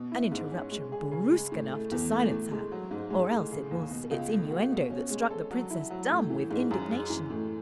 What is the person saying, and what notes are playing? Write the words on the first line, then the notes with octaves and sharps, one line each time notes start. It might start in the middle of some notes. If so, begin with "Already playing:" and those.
An interruption brusque enough to silence her; or else it was its innuendo that struck the princess dumb with indignation.
Already playing: B2
E4
G#2
C#4
G#3
G#4
C#3
G#3
A2
A3
E2
A3
A2
G#3
F#3
G#2
G#3
A2
C#3
D#2
B2
C#2
A3
F#4
B2
C#4
G#3
A4
F#3
E4
F#3
A2
E3
G#2
F#2
G#3
E3
A2